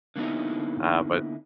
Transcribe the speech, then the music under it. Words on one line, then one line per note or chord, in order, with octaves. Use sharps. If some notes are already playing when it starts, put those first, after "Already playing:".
Uh, but
D3 A#3 B3 D#4 E4